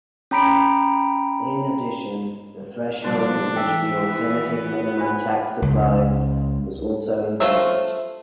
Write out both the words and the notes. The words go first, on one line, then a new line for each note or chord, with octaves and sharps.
In addition, the threshold at which the alternative minimum tax applies was also increased.
C#4 G5 A#5 B5 B6 D7
B2 F3 G3 D4 D#4 F#4 C5
E3 E5 G5
B3
D4 F4 B4 B5
C#2
A3 F4 C5 C#5 E5